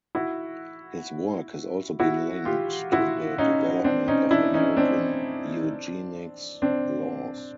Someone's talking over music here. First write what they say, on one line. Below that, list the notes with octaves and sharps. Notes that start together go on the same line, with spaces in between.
His work has also been linked to the development of American eugenics laws.
E4 F#4
E4 F#4
F4 G4
E4 F#4
C#4 D#4
C4 D4
C#4 D#4
D4 E4
C#4 D#4
C4 D4
C4 D4